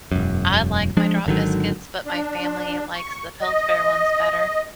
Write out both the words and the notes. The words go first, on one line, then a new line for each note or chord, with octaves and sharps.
I like my drop biscuits, but my family likes the Pillsbury ones better.
E1 F#2
F3 G#3 D4
G#1 D3 D#3 F#3
D4
C#6
D#5